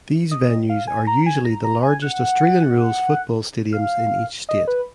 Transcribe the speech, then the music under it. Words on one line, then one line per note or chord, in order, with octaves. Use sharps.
These venues are usually the largest Australian rules football stadiums in each state.
D#5
F5
G#5
A#5
G#5
A#5
A#5
G#5
F#5
F5
D#5
B4